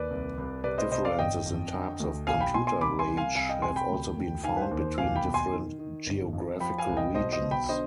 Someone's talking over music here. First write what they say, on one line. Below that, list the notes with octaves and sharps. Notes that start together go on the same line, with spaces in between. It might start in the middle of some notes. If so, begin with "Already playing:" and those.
Differences in types of computer rage have also been found between different geographical regions.
Already playing: D#2 B4 D5
C2
C2
C3 B4 D5
C5 D#5
C3 C5 D#5
D5 F5
G1 D#5 G5
F2
D3
D2
B1 F5 G#5
G5 B5
B2 G#5 C6
G#5 C6
C2 B5 D6
G#5 C6
C2
F5 G#5
C2 F5 G#5
D#5 G5
C3 G#5 C6
G5 B5
D2
D2
D#3 F5 G#5
B4
C5
D#2
C5
B1 F5 G#5
G5 B5
B2
G#5 C6
D#3
D#3
G1
F2
F3 G5 B5
F5 G#5
C2
D#5 G5
B1 C5 D#5
C5 D#5
B2
G5 B5
D3 C5 D#5